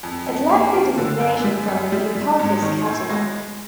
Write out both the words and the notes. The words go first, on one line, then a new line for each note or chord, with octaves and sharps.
It lacks a designation from the Hipparcos catalogue.
F2
F2
A#3
F3
D3
F#2
G3
F#2
G3
G3
G#2
D#3
A2
G#3